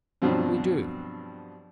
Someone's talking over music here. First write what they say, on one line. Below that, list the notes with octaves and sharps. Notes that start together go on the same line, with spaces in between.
"We do."
G2 B2 F3 F#3 C4